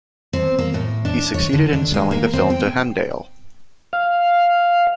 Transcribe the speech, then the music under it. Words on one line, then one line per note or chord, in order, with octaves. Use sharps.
He succeeded in selling the film to Hemdale.
C4
A#3
A2
D4
C#5
D3
D4
G#3
A#3
C4
G5
F5